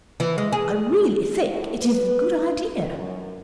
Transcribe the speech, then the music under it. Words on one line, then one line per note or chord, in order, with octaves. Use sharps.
'I really think it is a good idea.
E3
G#3
G#4
A2
B4
F#2